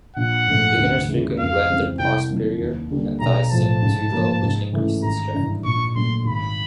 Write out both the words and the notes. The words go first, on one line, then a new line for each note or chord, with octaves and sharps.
Beginners frequently let their posterior and thighs sink too low, which increases drag.
A#1 F#5
G#2 F3 A3
D2
C#3 E3 G#3
F2 F5
C#3 E3 G#3 C4
C2 G5
C3 D#3 F#3 A#3
D#2
D3 G3 A#3
B1 A#5
A2 F3 A5
G#2
F3 A#3
G#2
E3 A3 C#4 E4
G#1 A#5
G2 E3
A#1 C#6
A#2 F#3 A3 D4 C6
G#1 B5